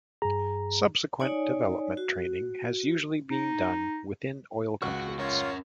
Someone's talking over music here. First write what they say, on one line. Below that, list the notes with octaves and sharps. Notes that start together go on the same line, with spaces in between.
Subsequent development training has usually been done within oil companies.
G2 G#4 A#5
D#4 C#5 D5 G#5
F#4
D#4
C#2 F#4 C#6
C#4 F4 A#4 C#5